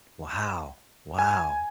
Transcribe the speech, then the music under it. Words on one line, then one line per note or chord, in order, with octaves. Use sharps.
Wow. Wow.
G#5